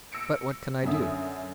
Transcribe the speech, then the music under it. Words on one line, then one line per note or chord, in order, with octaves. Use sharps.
But what can I do?
E6 A#6 C#7 D7
F#2 D3 E5 D#6